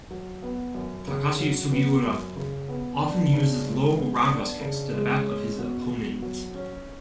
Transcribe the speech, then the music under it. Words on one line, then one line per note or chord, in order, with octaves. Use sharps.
Takashi Sugiura often uses low roundhouse kicks to the back of his opponent.
F#3
B3
F#2
C#3
F#3
B3
F#2
C#3
B3
D4
C#3
G#3
B3
D4
C#3
G#3
C#4
B2
B2
F#3
C#4